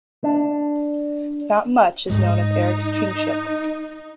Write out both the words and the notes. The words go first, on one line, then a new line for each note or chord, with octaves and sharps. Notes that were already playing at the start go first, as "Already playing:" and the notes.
Not much is known of Eric's kingship.
D4
G#2 G#3 D#4